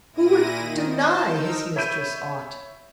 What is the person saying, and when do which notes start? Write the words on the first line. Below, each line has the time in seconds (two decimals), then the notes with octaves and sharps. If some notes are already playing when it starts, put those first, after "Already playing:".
Who would deny his mistress aught?
0.13 A#2 E4 A#6 D#7
0.58 D#3
0.89 C5 A5
1.29 D#4 A#4 E6
1.76 C#5 E5 B5 G6 D#7